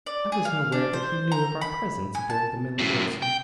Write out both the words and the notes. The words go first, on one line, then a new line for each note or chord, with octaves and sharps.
"I wasn't aware that he knew of our presence aboard the Milagrosa."
D5
G#4
F5
D4
C5
A#5
B5
G#5
A5
F#2 A2
G5